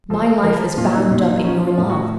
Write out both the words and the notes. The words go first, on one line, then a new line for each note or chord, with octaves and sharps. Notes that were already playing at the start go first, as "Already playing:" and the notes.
My life is bound up in your love.
F3 A4
F3 A#4
A#2 F4
D#4
A#2 D#4
D#4
F3 C#4
F4
A2
F#4